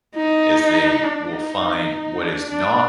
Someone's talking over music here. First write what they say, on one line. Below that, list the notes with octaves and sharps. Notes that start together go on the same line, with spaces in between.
is they will find what is not
D#4
D4
D#4
D4
D4